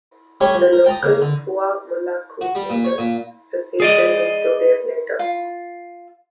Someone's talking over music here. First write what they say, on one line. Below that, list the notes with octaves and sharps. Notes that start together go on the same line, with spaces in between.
The local Fua Mulaku leaders received the news two days later.
G3 A3 C#4 G4 C#5
F3
A#4
G5 A5 A#5 D#6
C#3 A#3
D3
F#4
G3
A#2
C#5
A#2
G#4 D5 D#5
F4